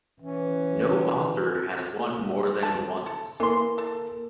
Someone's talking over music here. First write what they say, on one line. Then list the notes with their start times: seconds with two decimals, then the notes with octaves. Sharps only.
No author has won more than once.
0.20 E3 C#4
2.63 A5
3.06 A4
3.40 E3 A#3 C6
3.78 A4